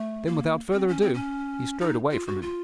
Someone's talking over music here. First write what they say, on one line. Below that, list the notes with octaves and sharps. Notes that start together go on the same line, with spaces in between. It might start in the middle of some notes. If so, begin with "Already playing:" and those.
Then, without further ado, he strode away from him.
Already playing: A3
A#3
C4
C#4
C4
C#4
D#4
F4
F#4
F4